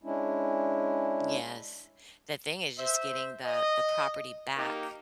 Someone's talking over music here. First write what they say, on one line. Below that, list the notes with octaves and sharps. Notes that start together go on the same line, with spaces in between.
Yes. The thing is just getting the the property back,
G#3 C#4 D4 E4
C5 E5
D#5
A#3 D#4 G4 A#4